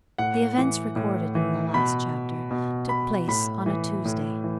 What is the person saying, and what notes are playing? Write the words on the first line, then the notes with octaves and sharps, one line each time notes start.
The events recorded in the last chapter took place on a Tuesday.
A2 F#5
E3
A2
E3
B2 B5
B2
B5
A2 B5
E3
A2
E3